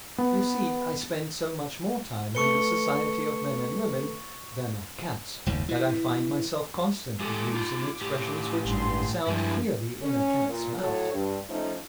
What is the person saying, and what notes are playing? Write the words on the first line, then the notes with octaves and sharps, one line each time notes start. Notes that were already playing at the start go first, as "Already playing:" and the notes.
You see I spend so much more time in the society of men and women than of cats, that I find myself constantly using expressions which sound queerly in a cat's mouth.
B3
A3 A4 B4 C#6 C#7 G7
F#1 D#2 G#2
E3
G#3 G4 A4 D6
D#4 F4
A2 G4
G#1 G2 C6
G2 F3 G#3 E4
C#4
A#2
A2 F#3 A4 C#5
G2
F3 A3 C#4 D#4